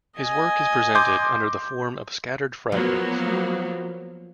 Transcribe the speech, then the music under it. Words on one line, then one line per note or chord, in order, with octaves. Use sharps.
His work is presented under the form of scattered fragments.
D#5 G#5
C6 D6 G6
F3 F#3 A#3 B3